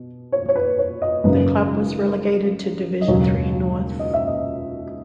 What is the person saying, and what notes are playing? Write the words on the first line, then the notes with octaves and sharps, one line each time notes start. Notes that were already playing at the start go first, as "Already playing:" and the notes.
The club was relegated to Division Three North.
Already playing: B2
C#5
C#5
B4
C#5
D#5
G#1 F#2 C#3 B4
D#5
E1 D#2 C#3 F#3 C#5
D#5
E5
D#5